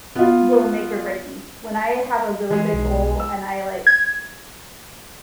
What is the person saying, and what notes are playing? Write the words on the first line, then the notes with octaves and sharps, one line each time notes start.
i will make or break me. When I have a really big goal and I, like
B3 F4
E3 G#3 G#4
B1
E6
G#6